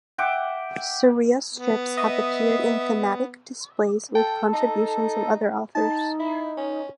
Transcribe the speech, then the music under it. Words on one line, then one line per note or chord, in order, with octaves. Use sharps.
Soria’s strips have appeared in thematic displays with contributions of other authors.
E5 F#5 G5 D6
B3
D#5 E5 D#6
A4 G5
D#4
D#4 A5
E4
C#4